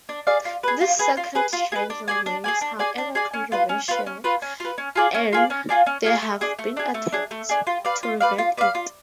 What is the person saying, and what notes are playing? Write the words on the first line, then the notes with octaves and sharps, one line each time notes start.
This second change remains however controversial and there have been attempts to revert it.
D4
G#4 D5 F5
F4
G#4 B4
F4
G#4 B4
F4
G#4 B4
F4
G#4 B4
D4
G#4 D5 G#5
D4
G#4 D5 G#5
D4
G#4 D5 G#5
D4
G#4 D5 G#5
C#4
F4 B4
C#4
F4 B4
C#4
F4 B4
C#4
F4 B4
C#4
F4 G#4 D5
C#4
F4 G#4 D5
C#4
F4 G#4 D5
C#4
F4 G#4 D5
A3
D4 G#4
A3
D4 G#4
A3
D4 G#4
A3
D4 G#4
F4
B4 D5 F5
F4
B4 D5 F5
F4
B4 D5 F5
F4